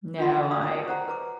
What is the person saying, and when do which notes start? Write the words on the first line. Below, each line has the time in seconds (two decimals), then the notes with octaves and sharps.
No, I
0.18 D4 F4 F#5 B5 C6
0.37 F#4
0.51 D5 F5 D#6
0.64 C#5
0.87 G4 C5 F#5 A#5
1.08 B4 A#5 D6